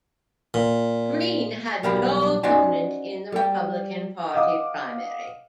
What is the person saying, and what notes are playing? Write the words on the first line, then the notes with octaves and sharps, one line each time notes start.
Green had no opponent in the Republican Party primary.
A#2
B1 G3 A#4 F5 G5 B5
C#4 D#4 F#4 C5 D5 G#5
G3 G5
D#5 F5 F#5 D6 D#6